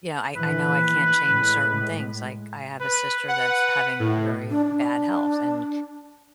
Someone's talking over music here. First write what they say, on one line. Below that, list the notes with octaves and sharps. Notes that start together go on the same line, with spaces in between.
you know, I I know I can't change certain things. Like, I have a sister that's having very bad health, and,
A#1 E3 B4
A2 G#3
B4
B4 F#5
A2
D4
D4